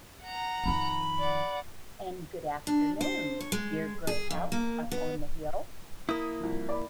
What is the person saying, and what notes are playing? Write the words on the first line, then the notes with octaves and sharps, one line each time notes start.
And good afternoon, dear gray house up on the hill.
F#5 A#5
F2 D#3 B5
D5 F#5
D4
C5
C#5
G#3
G#4
F2
A#3
B3
A#3 E4 D#6
C2 F3
D5 B5